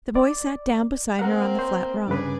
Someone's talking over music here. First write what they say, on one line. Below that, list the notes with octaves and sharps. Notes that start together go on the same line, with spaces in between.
The boy sat down beside her on the flat rock.
D5
A#3 C4 A#4 F#5
C5
G2 C#3 G#4 B4 D5